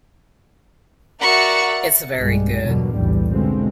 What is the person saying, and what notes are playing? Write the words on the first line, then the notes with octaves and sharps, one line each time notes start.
It's very good.
F#4 A#4 D5 E5 F#5 C#6
B1 G2 G3 G#3
E2 G2 B2 D3 F#3 A#3
B1 E2 A2 G3
B2 D3 F3 G#3 C4